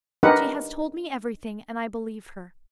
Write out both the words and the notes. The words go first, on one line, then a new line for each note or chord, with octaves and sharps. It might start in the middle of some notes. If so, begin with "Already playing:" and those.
She has told me everything and I believe her.
D4 D#4 G4 A#4 B4 F#5